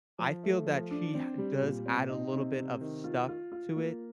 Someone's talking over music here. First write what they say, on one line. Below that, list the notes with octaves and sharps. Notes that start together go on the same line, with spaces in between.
I feel that she ha does add a little bit of stuff to it,
F3
A3
F3
D4
C4
G3
A#2
C4
D#4
C3
C3
D#3
F4
F4
F4
A#3